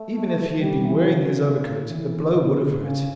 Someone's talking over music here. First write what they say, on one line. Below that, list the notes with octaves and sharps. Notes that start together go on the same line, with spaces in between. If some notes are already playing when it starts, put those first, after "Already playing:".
Even if he had been wearing his overcoat, the blow would have hurt.
Already playing: A3
G3
E3
C#3
D3
E3
E3
D3
C#3